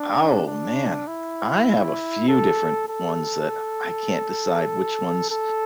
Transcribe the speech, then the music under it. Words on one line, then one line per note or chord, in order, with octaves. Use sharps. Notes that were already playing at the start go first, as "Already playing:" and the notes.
Oh man, I have a few different ones that I can't decide which one's
Already playing: D4
D4
E4
A4
A4
A4